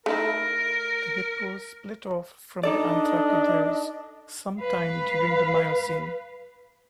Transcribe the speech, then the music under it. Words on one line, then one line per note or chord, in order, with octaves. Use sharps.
The hippos split off from the anthracotheres some time during the Miocene.
A3 D#4 E4 A#4
D4 D#4 A4 D5 D#5
B4 F5